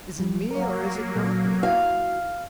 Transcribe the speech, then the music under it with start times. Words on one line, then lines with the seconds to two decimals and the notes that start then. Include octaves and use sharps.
'Is it me, or is it not me?
0.18 F2 F3 G3
0.51 F#3 A#3 A#4 C#5
1.15 A#2 A4
1.63 E4 F#4 F5